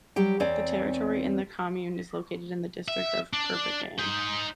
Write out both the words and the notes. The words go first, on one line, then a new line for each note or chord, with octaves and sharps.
The territory in the commune is located in the district of Perpignan.
F#3 G3 G4 G5
E2 C4 C#5 D5 G#5
E5
D4
D#4 C5